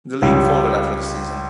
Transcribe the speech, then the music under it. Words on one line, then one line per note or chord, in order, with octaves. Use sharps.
The league folded after the season.
C#2 C#3 G3 C#4